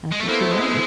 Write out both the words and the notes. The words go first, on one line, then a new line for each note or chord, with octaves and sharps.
that's what she likes.
G#3
A3
A#3 B3 E4 A4 C5
A3
G#3